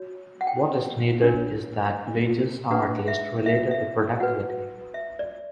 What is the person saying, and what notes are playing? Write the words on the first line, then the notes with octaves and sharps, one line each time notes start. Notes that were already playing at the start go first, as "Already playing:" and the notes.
What is needed is that wages are at least related to productivity.
Already playing: F#4 C#5
F#5
G5
D4 A#4 C#5
D4 G4 B4 F#5
E5
E5
E5
F#4 B4 F#5
E5
D5